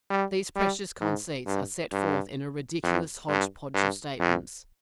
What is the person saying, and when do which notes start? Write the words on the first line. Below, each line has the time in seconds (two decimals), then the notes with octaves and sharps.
These precious conceits are set forth in a ridiculous hodge-podge of statements.
0.10 G3
0.56 G3
1.01 G#2
1.47 G2
1.92 G2
2.84 F2
3.29 G2
3.74 G2
4.20 F2